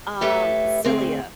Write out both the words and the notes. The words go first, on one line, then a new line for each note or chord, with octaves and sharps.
um, Xillia.
A2 G4 A4 B4 E5
D2 A2 C4 G#4